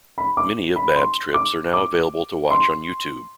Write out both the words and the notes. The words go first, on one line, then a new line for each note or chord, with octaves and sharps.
Many of Babbs's trips are now available to watch on YouTube.
B5
D6
B5
C6
D6
D6
C6